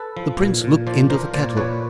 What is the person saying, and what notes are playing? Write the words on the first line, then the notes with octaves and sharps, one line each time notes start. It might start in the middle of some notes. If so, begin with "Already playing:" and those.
The prince looked into the kettle.
Already playing: A4 B4
F3
A#2
A#2
F3 C5 D5
F3 A#4 C5
A#2 C5 D5
A#2 B4 C#5